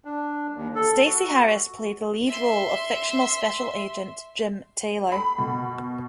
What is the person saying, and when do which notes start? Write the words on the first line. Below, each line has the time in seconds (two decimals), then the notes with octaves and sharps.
Stacy Harris played the lead role of fictional Special Agent Jim Taylor.
0.05 D4
0.55 D#2
0.75 A4
1.06 F#4
2.27 E5 C6
5.12 B5
5.38 B2